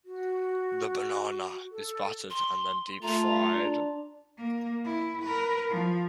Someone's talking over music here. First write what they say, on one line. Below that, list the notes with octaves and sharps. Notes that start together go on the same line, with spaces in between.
The banana is battered and then deep fried.
F#4
A4
C6
A3 F4 A#5
D4
A#3
E4
A#4 B4
F3